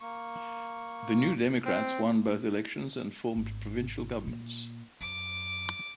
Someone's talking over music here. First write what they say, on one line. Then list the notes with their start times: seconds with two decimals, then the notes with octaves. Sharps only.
The New Democrats won both elections and formed provincial governments.
0.01 A#3 C#6
1.65 C4
3.36 G#1
4.27 A#2
5.01 F#2 D6